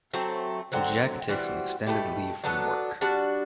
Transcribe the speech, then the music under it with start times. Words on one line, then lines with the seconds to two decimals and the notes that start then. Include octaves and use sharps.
Jack takes an extended leave from work.
0.14 F#3 A3 C4
0.72 D3 F#3 C4
1.29 E3 G3 C4 F#4
1.87 B2 A3 E4 G4
2.44 F#3 B3 D4 A4
3.01 G3 D4 F#4